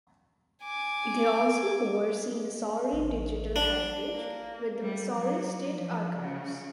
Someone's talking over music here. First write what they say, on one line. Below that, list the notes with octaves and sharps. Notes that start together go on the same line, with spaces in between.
They also oversee Missouri Digital Heritage with the Missouri State Archives.
G#5 D6
A1
D4
A#3
G3
F#3
F3
C#3